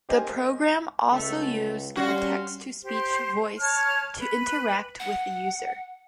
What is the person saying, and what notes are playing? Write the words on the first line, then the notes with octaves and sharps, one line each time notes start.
The program also used a text to speech voice to interact with the user.
G4 A#4 C5 D#5 G#5
C#2 A3
G3 C#4 F#4 F5 F#5 C6
G4 C5
C#5 A5 F6
B4
F#5